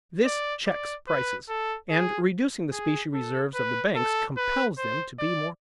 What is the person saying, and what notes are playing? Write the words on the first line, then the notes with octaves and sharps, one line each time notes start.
This checks prices, and, reducing the specie reserves of the banks, compels them to be more cautious.
D5
D5
B4
A4
G#4
G#4
A4
B4
A4
B4
C5
D5